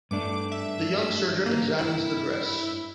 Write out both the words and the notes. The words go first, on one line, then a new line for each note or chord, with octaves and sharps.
The young surgeon examines the dress.
G2 A3 D4 D6
E5
A#3
E4